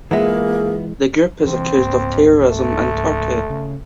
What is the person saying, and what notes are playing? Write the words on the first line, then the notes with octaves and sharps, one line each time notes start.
The group is accused of terrorism in Turkey.
E3 G#3 A#3 B3 F4 G#4 E5
C3 E3 C4
C#2 G#2 A#3
A3
C#3